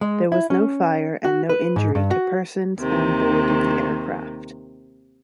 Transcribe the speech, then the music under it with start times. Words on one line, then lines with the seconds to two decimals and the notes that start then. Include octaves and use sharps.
There was no fire and no injury to persons on board the aircraft.
0.01 G#3
0.32 E4
0.50 C#4
1.25 F#4
1.49 B4
1.76 G#2
1.95 G2
2.11 F#4
2.79 D#2 C3 D#3